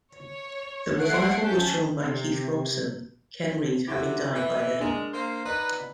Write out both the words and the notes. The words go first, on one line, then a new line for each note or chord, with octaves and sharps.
The revival was drawn by Keith Robson, Ken Reid having died by then.
C#5
A3 F#5 F#6 G#6 C7 D7
C#4 A5 G6 B6
C3
C3 E4 F#4 G4 A4
E3
G#3 D4 A#4
A#3 C5
D#4 B4 D5